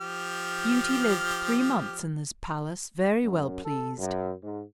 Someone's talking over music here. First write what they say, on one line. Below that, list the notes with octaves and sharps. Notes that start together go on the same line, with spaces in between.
Beauty lived three months in this palace very well pleased.
F3 G4 F6
F#2
A4
F#2
G#2